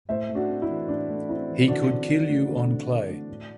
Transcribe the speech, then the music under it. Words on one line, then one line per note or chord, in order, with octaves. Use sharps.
He could kill you on clay.
A2 C5 E5
A3
D4 F#4
C4
E4
E3
A2 D4
A3
C4 E4
E3
D3 D4 F#4
C4
D3
A3
D3
C4
D3
A3
A2